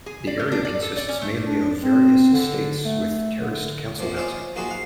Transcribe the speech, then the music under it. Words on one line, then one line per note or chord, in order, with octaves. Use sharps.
The area consists mainly of various estates, with terraced Council housing.
G#4
D5
A3
D4
D5
A4
D5
C#4
A3
D4
C4
D3
A3
D3
E2 A#2 F3 D6
C#4 F4 C5 D5 D#5
F3 A#3 D#4 F#4 G#4 C5
F5 F#5